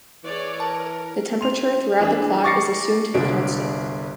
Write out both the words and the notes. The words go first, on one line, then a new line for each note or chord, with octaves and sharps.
The temperature throughout the plot is assumed to be constant.
E3 G#4 C#5 D5
A#4 A5
C6 F7
E3 D4 G#4
C#6 D6 A6 A#6 C7 C#7
G1 C2 D4 D7